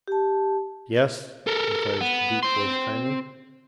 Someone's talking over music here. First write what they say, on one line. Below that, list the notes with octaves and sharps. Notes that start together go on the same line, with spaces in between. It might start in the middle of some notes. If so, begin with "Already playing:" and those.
"Yes," encouraged the deep voice kindly.
G4 A5
A4 A#4
B3
C4 C6